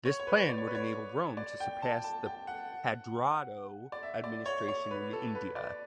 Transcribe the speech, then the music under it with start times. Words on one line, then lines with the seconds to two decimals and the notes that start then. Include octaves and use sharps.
This plan would enable Rome to surpass the "Padroado" administration in India.
0.05 C#5
0.20 C#5
0.27 B4
0.49 D5
0.58 C#5
0.67 B4
0.75 C#5
1.37 D5
1.60 G5
1.82 A5
2.04 A5
2.26 G5
2.47 F#5
3.92 D5
4.03 E5
4.24 D5
4.46 C#5
4.68 C#5
4.91 B4
5.13 A4
5.35 B4
5.56 D5